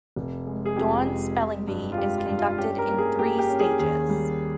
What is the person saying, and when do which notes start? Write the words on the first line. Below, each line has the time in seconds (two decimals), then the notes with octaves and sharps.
Dawn Spelling Bee is conducted in three stages.
0.16 F1
0.47 G#3
0.66 G#4
0.76 F2 G4
1.07 G#3
1.37 G#3
1.67 G2
1.92 F4
1.98 G#3 G4
2.18 F4
2.28 G2
2.38 F4
2.50 F4
2.58 C#4 G4
2.78 A#4
2.88 A#3
2.98 G#4
3.19 A#3 G4
3.39 G4
3.49 C#4
3.60 G#4
3.79 D#2 G#4
4.09 G3